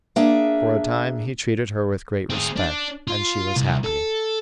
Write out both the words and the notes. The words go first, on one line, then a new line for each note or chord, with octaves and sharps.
For a time he treated her with great respect, and she was happy.
A#3 D4 G#4 E5 A5
C4 G#4
D4
F4
C2
A4